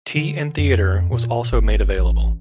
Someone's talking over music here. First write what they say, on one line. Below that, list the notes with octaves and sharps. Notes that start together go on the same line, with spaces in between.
"Tea and Theatre" was also made available.
D3
F2
A#2
G1
A1